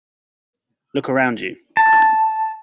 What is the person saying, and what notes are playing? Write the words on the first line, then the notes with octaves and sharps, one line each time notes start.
Look round you.
A5